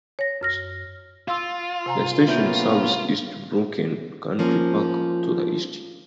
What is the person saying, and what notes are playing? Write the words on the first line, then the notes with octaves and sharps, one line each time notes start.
The station serves Eastbrookend Country Park to the east.
C#5 A#6
F#2 F6 A#6
F4 F5 C6 E6
C3 G#5 A#5
A#3 B3 C#4 E5 G6
F3 A#3 C#4